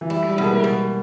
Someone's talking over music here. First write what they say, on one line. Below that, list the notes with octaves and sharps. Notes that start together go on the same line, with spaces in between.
I feel like
E3
G3 E4
G3
B2 G#3
A#3
B2